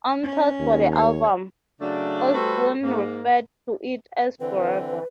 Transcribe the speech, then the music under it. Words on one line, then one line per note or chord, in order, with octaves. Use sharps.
On tours for the album, Osbourne referred to it as "Forever".
C#4
D#2
C#5
C#3 F#3 A3 D4
G3 A3 F#4 A4 B4 C5
G#2 A#3
D3 E3 C4 B4